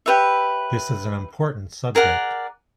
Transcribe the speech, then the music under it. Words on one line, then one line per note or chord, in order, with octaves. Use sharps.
This is an important subject.
G4 B4 C#5 E5
G#4 A#4 D5 F#5